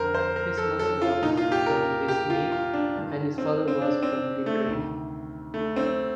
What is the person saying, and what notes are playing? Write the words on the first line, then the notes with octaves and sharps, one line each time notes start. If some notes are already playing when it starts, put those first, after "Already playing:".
His mother was from Westmeath and his father from Leitrim.
Already playing: F2 D3 A#4 C5
C5
A#4
A4
A4
F4
C2 A#2 D#4
F4
G4
A#4
G4
F4
F4
D4
G2 D#3
C4
C4
D4
C4
A3
D2 C3 D#3
A3
C4